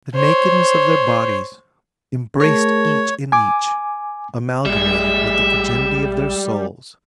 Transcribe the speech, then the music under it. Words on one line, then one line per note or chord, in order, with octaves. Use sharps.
The nakedness of their bodies, embraced each in each, amalgamated with the virginity of their souls.
C5 C#5
A3 G#4 A#4 C#5
G#5 D6
A#1 G3 G#3 E5